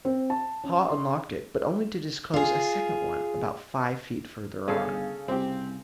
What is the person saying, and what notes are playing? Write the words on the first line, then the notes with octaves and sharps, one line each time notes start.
Haw unlocked it, but only to disclose a second one about five feet further on.
C4
A5
C#4
C6
F4 G#4
G1 C#3 C#4 G#4 A4 F5
C2 C4 G4